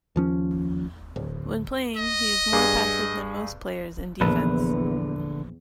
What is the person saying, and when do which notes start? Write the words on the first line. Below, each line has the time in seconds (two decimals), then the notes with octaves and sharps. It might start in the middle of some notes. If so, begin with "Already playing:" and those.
When playing, he is more passive than most players in defense.
0.16 D#2 F3 C#4
1.16 D1
1.96 D#5
2.53 G2 G#4
4.21 A#1 E2 D3 B4